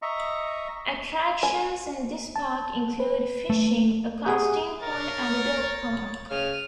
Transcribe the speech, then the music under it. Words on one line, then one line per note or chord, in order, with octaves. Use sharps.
Attractions in this park include fishing, a casting pond, and a dog park.
D#5 E5 A#5 C#6
G#5
A5
B4
A3
G4 G#4 F#5 G#5 D#6
A#4 C#5 A6
C#3 F6 D#7